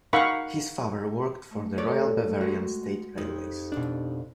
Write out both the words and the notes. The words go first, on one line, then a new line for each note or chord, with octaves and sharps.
His father worked for the Royal Bavarian State Railways.
D#4 A#4 F5 F#5 B5 C#6
A3
A4 C#5 D5
G#3 F#4
F2 D#4 G4
B2 D4